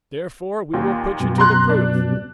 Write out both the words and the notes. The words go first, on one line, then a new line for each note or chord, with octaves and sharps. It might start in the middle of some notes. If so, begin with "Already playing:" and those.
Therefore we will put you to the proof.
D#2 A#2
F#2 B2
A#5 C6 F#6
D4